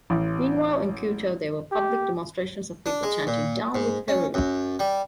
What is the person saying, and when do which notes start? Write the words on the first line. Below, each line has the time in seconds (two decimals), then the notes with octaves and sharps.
Meanwhile, in Quito, there were public demonstrations of people chanting Down With Peru!
0.10 A1
1.72 G4
2.86 D4
3.03 G#3
3.27 A#2
3.75 G#2
4.08 C#4
4.34 F#2
4.79 G3